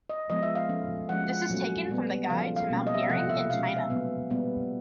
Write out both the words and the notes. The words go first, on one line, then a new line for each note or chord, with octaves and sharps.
This is taken from the Guide to Mountaineering in China.
D#5
F3 G#3 B3 D#5
E5
F5
F3 A3 C#4
F3 G#3 C#4 F#5
F#5
A#2 F#3 A3 C#4
A#2 G3 B3
C#3 F3 A3 F5
F5
B2 G3 A#3 C#4
D#5
E5
F5
C3 F3 A3 F#5
E5
B2 G#3 C#4 F5
F5
E5
A#2 F#3 B3
A#2 G3 B3